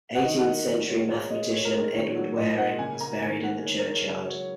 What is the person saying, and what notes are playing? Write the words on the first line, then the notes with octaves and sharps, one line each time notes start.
Eighteenth-century mathematician Edward Waring is buried in the churchyard.
F#5
D#3 D#5
F#5
A#3 D#5
D#3
G#3 C#5
A#2 C#5
G#3 D#5
A#2 C#5
A#4
G#3
C#5
D#3 C#5
F#3
A#2 D#5
A#3 F#5
C#3 G#5
A#3 A#5
D#3 G#5
A#3 F#5
D#3 C#5
A#4
G#3
C#5
C#3 C#5
F#3 C#5